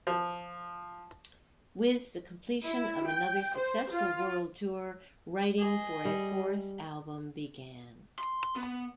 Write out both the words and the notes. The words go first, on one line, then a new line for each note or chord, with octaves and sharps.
With the completion of another successful world tour, writing for a fourth album began.
F3
E4
G5
C5
F4
G#4 D#5
G3
C6
B3